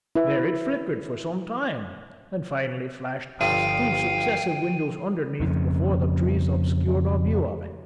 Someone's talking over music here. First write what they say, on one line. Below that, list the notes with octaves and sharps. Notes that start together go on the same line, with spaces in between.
There it flickered for some time, and finally flashed past two successive windows underneath before the trees obscured our view of it.
E4 B4 E5
G1 F3 D5 F5 G5 D#7
F2 C#3